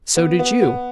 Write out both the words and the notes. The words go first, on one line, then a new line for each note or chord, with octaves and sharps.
So did you.
B3
B3
B3